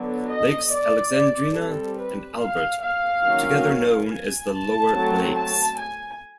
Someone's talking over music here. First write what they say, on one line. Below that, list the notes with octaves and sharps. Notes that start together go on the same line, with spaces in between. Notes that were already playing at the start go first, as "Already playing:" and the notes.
Lakes Alexandrina and Albert are together known as the Lower Lakes.
Already playing: D3 F#3 B3
D#5
D5
G3 C4 A4
B4
F5
F5
D#3 F#3 A#3 C#4
G#5
A5
F#3 A3 C4
A5
G#5